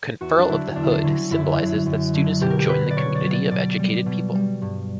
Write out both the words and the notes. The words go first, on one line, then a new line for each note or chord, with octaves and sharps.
Conferral of the hood symbolizes that students have joined the community of educated people.
E2 F#4
D4
D3 F#3 E4
E2 D4
E4
D4
D3 F#3 C#4
F#2 E4
D3 F#3
F#2
D3 F#3
B2 G4
A#4
G4
F#3 B4
D5
B2 C#5
D5
F#3
D5
B2 D5
G3
B2
G3
G2